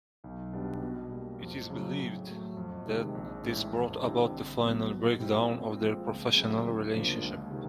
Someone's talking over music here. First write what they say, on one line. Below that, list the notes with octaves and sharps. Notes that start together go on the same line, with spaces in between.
It is believed that this brought about the final breakdown of their professional relationship.
B1
B2 G3 B3 D4
B2
G3 A#3
F2
C#3 F#3
A2
F#3 A3
F2
C3 D#3 G#3
A#1
A2 E3 G#3 C#4
F2
D3 G3 C4 E4
A#1
A2 F#3 B3
B2
G3 C4 E4
A#2
F3 G#3 C4
C#2
C#3 F#3 A3 C4
D2
C#3 F3 A#3 D4
C#2
C3 D#3